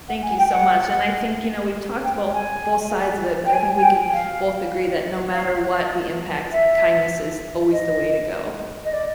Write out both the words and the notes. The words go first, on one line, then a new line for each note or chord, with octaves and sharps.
Thank you so much, and I think, you know, we've talked abolt both sides of it, but I think we can both agree that no matter what the impact, kindness is always the way to go
F#5
G#5
G5
F#5
G5
G#5
G5
G#5
G#5
G5
F5
F5
E5
D#5
D#5
D5